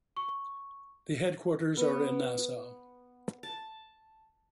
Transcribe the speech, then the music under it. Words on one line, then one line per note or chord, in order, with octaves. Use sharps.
The headquarters are in Nassau.
C#6
B3
A5